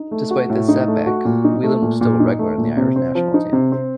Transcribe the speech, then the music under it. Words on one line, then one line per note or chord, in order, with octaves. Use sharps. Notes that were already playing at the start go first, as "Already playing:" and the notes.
Despite this setback, Whelan was still a regular in the Irish national team.
Already playing: D#4
A3
F#4
A2
D#4
A3
F#4
A#2
D#4
A3
A#2
A#2
D#4
A3
A#2
C3
C4
F3
D#4
C3
C4